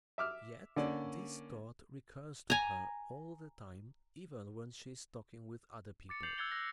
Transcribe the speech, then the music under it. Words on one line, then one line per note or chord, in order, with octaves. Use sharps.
Yet this thought recurs to her all the time, even when she is talking with other people.
E5 D6 F6
D3 A#3 C#4 D5
G#5 A#5
D6 A6 C#7
G6 A6 C7 C#7 F7 F#7
E6 F#6 G#6 A6 C#7 G7
E6 F#6 A#6